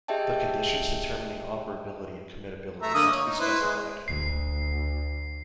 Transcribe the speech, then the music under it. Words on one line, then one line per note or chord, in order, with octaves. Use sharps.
The conditions determining operability and committability must be specified.
G4 G#4 D#5 E5 G5 A5
A3 E5 A#5
D3 A#3 D#6
C#5
D#4
E4 B4 C5
G#3
D2 C7